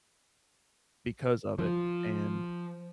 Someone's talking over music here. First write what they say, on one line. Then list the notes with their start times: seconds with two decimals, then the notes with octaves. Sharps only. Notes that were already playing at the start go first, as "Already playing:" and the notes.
because of it. And
1.59 F3